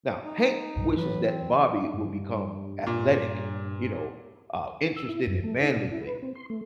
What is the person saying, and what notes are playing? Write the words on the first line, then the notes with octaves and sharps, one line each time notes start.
Now, Hank wishes that Bobby will become athletic, you know, uh, interested in manly things,
D#4
B1 G2
A2 E3 F#3 B4
C4
G2
A#2
E6
E4
F#2
A3
D#4
B2
E4
B4
C4
C6
A3